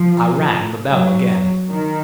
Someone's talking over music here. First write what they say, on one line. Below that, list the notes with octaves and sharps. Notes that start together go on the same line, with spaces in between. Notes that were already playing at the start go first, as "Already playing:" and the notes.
I rang the bell again.
Already playing: F3
F#3
D#3